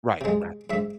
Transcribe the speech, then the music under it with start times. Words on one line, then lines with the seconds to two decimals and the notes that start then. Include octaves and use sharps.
Right, right.
0.21 C3 G#3
0.70 G#2 E5